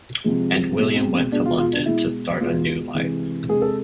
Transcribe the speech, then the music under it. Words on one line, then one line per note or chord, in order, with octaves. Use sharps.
And William went to London, to start a new life.
C3 F3 G#3
B2 G#3
C4
C4
B2 G#3 D4
F4
F4
D4
B2 G#3 E4
B2 G#3 F4
C3 E3 G#3
C3 G#3 G#4
A4